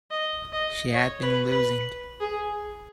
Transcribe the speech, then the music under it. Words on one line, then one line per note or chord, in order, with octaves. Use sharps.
She had been losing.
D#5
D#5
C#5
B4
B4
G#4